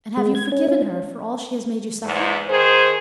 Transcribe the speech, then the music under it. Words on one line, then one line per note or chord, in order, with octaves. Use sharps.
"And have you forgiven her for all she has made you suffer?"
G#3
G#6
C#4
C#4
E2 G#2
D#3 G#4 C5